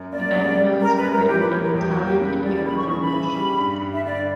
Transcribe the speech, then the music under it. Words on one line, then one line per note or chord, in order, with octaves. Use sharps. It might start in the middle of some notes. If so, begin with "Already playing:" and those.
The banknotes were written in Italian and Arab language.
Already playing: F#2
A#3 D5
C#3
G3
F#2 A#4
B4
F#2
A#4
E3 G4
B4
B3 C#5
A#4
E2 G4
F#4
A#3
G4
C#3 B4
G3 D5
C#3 B5
C#6
C#3 C#6
B5
E3
G3
G2
G2
E5
D3 D5